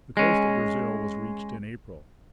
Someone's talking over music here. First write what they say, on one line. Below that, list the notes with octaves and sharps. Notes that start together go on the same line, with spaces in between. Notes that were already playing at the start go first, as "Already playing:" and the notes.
The coast of Brazil was reached in April.
G#3 C#4